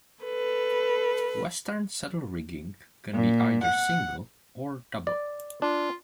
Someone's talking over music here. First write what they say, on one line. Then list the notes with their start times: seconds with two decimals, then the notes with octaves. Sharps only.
Western saddle rigging can be either single or double.
0.24 A4 B4
3.13 A#2
3.64 F#5
5.07 D5
5.62 D4 F4